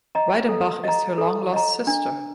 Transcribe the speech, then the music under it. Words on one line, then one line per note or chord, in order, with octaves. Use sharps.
Weidenbach is her long-lost sister.
D#5 A#5
A4
D#5 A#5
A4
D#5 A#5
D4